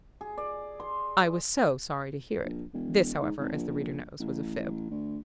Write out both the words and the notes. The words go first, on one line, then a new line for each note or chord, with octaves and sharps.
"I was so sorry to hear it." This, however, as the reader knows, was a fib.
G#4
D5
C6
A#1
E1
G#2
G#1
A#1
A1
D2